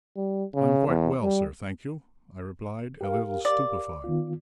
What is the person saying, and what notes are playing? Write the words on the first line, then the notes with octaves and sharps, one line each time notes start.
"I am quite well, sir, thank you," I replied, a little stupefied.
G3
C#3
E2
G3
G4 A#4 F5
D5
D#3 B3 F4